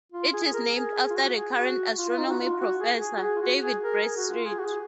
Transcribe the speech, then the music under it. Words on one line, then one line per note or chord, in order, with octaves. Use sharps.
It is named after the current astronomy professor, David Bradstreet.
F4
G#4
G#4
A#4
G#4
F4
F#4
G#4
F#4
F4
F4
D#4
F#4
F4
F#4
G#4
G#4
F#4
G#4
F4
F#4
G#4
A#4
G#4
F#4
F4
G#4
F#4
G#4